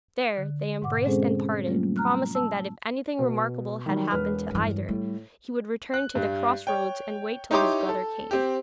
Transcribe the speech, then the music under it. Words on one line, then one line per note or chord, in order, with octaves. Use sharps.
There they embraced and parted, promising that if anything remarkable had happened to either, he would return to the cross roads and wait till his brother came.
D3
G#2 B2 F#5 D6
G#3 C4 C#4 G#4 A4 C5
F#3 G3 A3 A#3 C#4 F4
A#5 F6 F#6
A5 E6
B2
D#3 F#3 G3
E1 B4 F6
G2 E3
A2 G3
F#6
G2
C#5 G5
D#4 E4 G4 C#5 C6 D6
A4
C4 G4